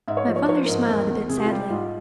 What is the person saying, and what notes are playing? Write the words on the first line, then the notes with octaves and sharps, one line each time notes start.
My father smiled a bit sadly.
G#2 E5
C#5
F3 C5
C#5
F3 C#5
C5
A#4
G#2
C5
E2 A#4
E2
C3 G#4
G4
F4
G3 G4
G#2 F4